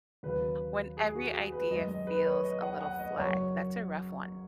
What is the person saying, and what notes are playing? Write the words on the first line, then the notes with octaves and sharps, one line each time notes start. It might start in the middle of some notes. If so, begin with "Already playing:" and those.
when every idea feels a little flat. That's a rough one.
D#2 C#3 F#3 B4
G#4
F#4
G#4
B4
F#2 D#3 G#3 D#5
D#5
B4
C#5
D#5
F#5
F#5
D#5
F#1 F#2 F#3 C#5